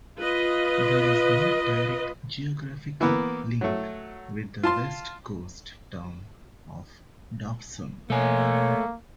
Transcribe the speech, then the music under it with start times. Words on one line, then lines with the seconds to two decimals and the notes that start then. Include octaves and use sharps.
There is no direct geographical link with the West Coast town of Dobson.
0.19 F4 B4 D#5
3.01 E3 A#3 B3
3.61 F#3 A3
4.63 F4 A5 C6
8.10 B2 A3 A#3 C#5 G#5